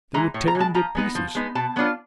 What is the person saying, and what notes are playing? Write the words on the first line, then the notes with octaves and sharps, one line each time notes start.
"They would tear him to pieces."
E3 G#3 A#5
A2
A#5
E3
G#3 A5
F3 A#5
G#3 B3 D#4
F3
G#3 B3 D#4
B2 A5
F#3 B3 D4 F4